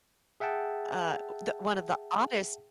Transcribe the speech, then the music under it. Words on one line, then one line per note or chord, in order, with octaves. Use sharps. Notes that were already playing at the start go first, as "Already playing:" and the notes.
Uh, d one of the oddest
G#4 E5 F#5 G5 A5